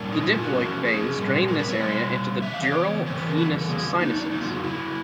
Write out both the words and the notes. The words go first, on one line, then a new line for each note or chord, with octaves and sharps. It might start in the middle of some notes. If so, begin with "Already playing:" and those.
The diploic veins drain this area into the dural venous sinuses.
Already playing: A#2 G3 A#3 D4
D#4
E4
F4
F#4
F3 A#3 C#4
G#4
A#2 G3 C4
A#4
B4
C#5
B2 G3 D#5
C#3 E3 E5
F5
C#5
C#3 E3 C4 C5
B4
A#4
B4
A4
D3 F#3 A#3 G#4
D#4
D4
D#4
C#3 F#3 A#3 D4 D#4
F4
F#4
E4